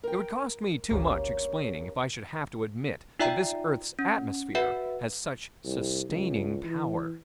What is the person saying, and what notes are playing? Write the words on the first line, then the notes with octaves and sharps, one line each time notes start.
It would cost me too much explaining, if I should have to admit that this earth's atmosphere has such sustaining power.
A#4 G5
G#1 D2 A#3 C#4 G4
D#4 F4 D5 E5 G5 A#5
C#4
F#4 B4 E5 F#5
C2
C#2
E3